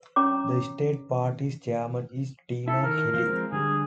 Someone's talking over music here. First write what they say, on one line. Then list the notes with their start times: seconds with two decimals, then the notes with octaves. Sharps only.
The state party's chairman is Tina Kelly.
0.16 C#4 C#5 A#5 D6
2.68 E4 A4
2.83 D#3 A#4
3.14 F3 F4
3.26 F3 G#3 C4
3.52 D3 G3 G#4